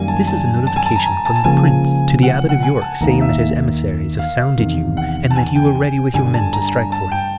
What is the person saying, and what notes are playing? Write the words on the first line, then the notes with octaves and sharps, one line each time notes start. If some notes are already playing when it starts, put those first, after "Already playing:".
"This is a notification from the Prince to the Abbot of York saying that his emissaries have sounded you and that you are ready with your men to strike for him."
Already playing: F#2 D#3 G3 A#3 G#5
A5
A5
A5
G#5
A5
A#5
A#5
A5
A5
C#2 C#3 F3 A#3 G#5
F#5
F#5
G#5
A5
D#2 D#3 G3 A#3 A#5
E5
F5
E2 C3 D#3
F#5
A5
G#5
G5
G2 D3 G3 G#5
A5
A#5
A5
G5